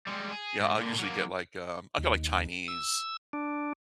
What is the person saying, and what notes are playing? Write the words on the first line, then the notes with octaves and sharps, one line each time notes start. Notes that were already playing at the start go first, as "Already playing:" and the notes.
Yeah, I'll usually get, like, um I'll get, like, Chinese
G3 G#3
G#4
G#2
A#2 D3
F#3 A#3
D#2
E6
D4